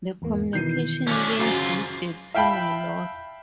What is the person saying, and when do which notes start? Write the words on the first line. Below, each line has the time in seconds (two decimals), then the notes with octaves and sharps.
The communication links with the team were lost.
0.22 E2 G#2 A#3
0.53 B2 D#3 E3 G6 C7 D#7
1.07 B1 C#4 D4 D6
1.39 G#1 F#2 C#3 F4 F#4 A#5 D6 A6
2.34 E5 F5 G5 A5 B5